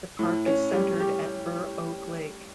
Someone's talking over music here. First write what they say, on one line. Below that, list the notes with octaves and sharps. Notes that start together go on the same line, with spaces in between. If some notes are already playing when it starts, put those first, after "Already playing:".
The park is centered at Burr Oak Lake.
A2
C#4
G3
G4